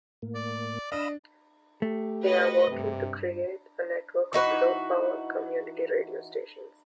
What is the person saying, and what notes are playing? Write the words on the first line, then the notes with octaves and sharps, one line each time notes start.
They are working to create a network of low power community radio stations.
A2 A#3
D5
D4 D#5 F5 B5 E6
A3 G4
F#4 B4 D#5
G2 C3
E3 D#4 F#4 B4